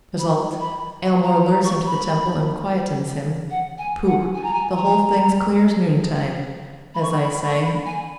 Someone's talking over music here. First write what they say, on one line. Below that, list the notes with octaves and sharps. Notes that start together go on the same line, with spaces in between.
Result--Aylmore lures him to the Temple and quiets him. Pooh!--the whole thing's clear as noontide, as I say.
B5
B5
A#5
A#5
C#6
B5
F#5
G#5
F#5
G#5
A#5
G#5
A#5
B5
C#6
B5
C#6
B5
G#5